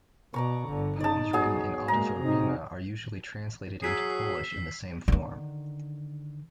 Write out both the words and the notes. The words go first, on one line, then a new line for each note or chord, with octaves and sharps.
Poems written in ottava rima are usually translated into Polish in the same form.
B2 D5 A#5 C#6
G1 D3
D#4 D5 A5
F#3 B3 G#4
G#3 A#3 A#5
C3 D#4
F#3 G#4 E6 B6 C7
D3 D#3